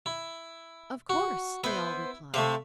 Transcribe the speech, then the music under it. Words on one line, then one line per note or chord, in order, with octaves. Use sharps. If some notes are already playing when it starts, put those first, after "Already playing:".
"Of course," they all replied.
E4
F#4
B3 E4 C5
C3 A3 E5 F5